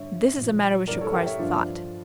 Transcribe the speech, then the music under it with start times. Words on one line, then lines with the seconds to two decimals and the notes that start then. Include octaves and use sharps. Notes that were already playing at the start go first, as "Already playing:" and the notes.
This is a matter which requires thought.
Already playing: G2 D3 G3 C#5 E5
0.37 A#2 F3
0.88 G2 E3 G3 A#4 D5
1.01 A4 C#5
1.13 G4 A#4
1.26 C#5 E5
1.39 G2 F3 D4 F4